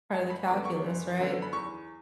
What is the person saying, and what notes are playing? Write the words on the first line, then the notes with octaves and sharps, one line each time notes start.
part of the calculus, right.
F#1 A5
B5
F#2 D3 F#3 B3 D6
C#6
F#1
F#2 D3 F#3 B3
B5
E2 C#6